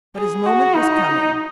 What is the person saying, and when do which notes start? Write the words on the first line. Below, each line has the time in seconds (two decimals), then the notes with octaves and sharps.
But his moment was coming.
0.16 G#4
0.46 F#4
0.75 D#4